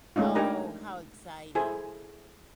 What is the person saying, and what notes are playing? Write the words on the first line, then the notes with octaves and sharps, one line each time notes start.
Oh, how exciting,
G#3 A3 C#4 D#4 F4
D4 D#4 G4 A#4 G#5 A#5
E4 G#4 A4 C5 G#5